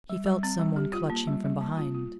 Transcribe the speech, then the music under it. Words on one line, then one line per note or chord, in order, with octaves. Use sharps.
He felt some one clutch him from behind.
G3
G3
C4
G3
G4
F4
A#3
G3
G3
A#3
F4
F4